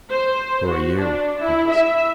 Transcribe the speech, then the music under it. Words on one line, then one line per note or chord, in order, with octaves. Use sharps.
"Who are you?" he asked.
C5
F#4
D4
E4
E5